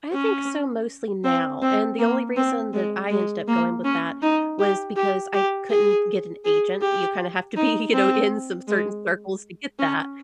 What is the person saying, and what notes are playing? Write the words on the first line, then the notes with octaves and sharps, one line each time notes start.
I think so mostly now, and the only reason that I ended up going with that was because I couldn't get an agent. You, kinda have to be, you know, in some certain circles to get that.
C#4
C4
C4
A#3
C4
G#3
G#3
A#3
C#4
D#4
G4
G4
G4
G#4
G#4
G4
D#4
C4
G#3
C#4